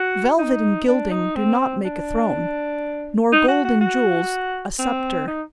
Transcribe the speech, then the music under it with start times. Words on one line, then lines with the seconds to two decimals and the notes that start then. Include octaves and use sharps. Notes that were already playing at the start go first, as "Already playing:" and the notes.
Velvet and gilding do not make a throne, nor gold and jewels a sceptre.
Already playing: F#4
0.39 D#4
0.88 D4
1.12 D#4
1.36 C4
1.85 D4
3.33 D#4
3.48 F#4
3.65 F#4
3.81 F#4
4.79 C4
5.28 D#4